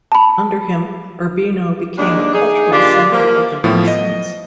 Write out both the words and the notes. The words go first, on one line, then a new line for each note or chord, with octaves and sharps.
Under him Urbino became a cultural center of the Renaissance.
A5 B5
D#2 G#3 D4
D#4 G#4
D3 A#3 D4 F4 G4
F3 A#3
A2 F3 B3
D#5